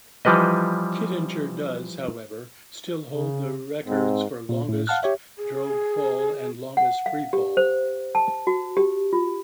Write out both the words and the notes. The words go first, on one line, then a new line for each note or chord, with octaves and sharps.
Kittinger does, however, still hold the records for longest drogue fall and longest freefall.
E3 F3 G3 B4 D#5
C#3
G#2 C4
A#2
A2
F5 F#5 A5 F6 F#6
G4 C#5 E5
G#4
F#5
F5
G4
C5
A5
F#4
G4
F4